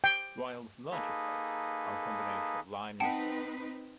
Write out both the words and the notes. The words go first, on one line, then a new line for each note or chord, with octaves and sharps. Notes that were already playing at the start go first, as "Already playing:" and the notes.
Ryall's larger plates are a combination of line and stipple.
G5
A#3 D#4 G#4 A4 B4
C4 D#4 B4 F#5 G5 A5